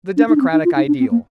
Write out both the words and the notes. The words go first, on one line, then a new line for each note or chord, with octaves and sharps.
The Democratic Ideal.
D4
D#4
D4
C4
D#4
F4
D#4
D4
C4
A#3